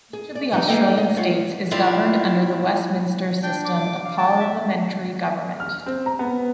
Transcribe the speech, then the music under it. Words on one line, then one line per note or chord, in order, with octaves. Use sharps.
Each of the Australian states is governed under the Westminster system of parliamentary government.
G#4
D5
E3 G3 D#4 F#4 G4
A#3 D#4 A4 D#5 G5
D#5
F4 C#5 F5 F#5
E4 F4 G4 D5
D4 G5
D6
F5
G5 A5
E5
F6
C4
A#5
B3